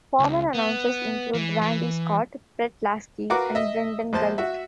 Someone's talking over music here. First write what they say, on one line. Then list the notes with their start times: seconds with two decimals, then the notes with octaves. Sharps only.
Former announcers include Randy Scott, Bret Lasky and Brendan Gulick.
0.20 C#2
0.54 B3
1.35 E3
1.62 E3
3.30 F#4 A#4 B4 F5 F#5 D6
3.55 D#5 E5
4.13 A#1 C5 A5
4.38 F#4 E5